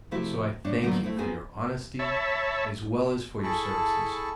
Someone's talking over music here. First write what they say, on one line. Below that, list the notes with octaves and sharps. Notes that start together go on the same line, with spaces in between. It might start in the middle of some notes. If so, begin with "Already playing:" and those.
So I thank you for your honesty as well as for your services.
C3 F3 A3 E4 F#4 G4
A2 D4 C#5
A2 D3 D#3 F#3 A#3 B3
A3 C4 E4
B3 C4 D#4 G#4 G#5
C#5 E5 A5 B5
E4 G#4 A4 A5 B5 C#6